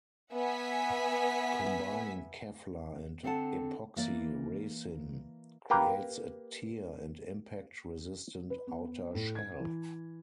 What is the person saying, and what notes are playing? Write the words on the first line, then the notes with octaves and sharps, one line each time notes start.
Combining kevlar and epoxy resin creates a tear and impact resistant outer shell.
B3 E5 F#5 G#5 B6
D3 C4 A4 D5 F#5 A5
E3 A#3 D5
A#3 G4 B4 G5 A#5
B4
B3
A2
G#6
E3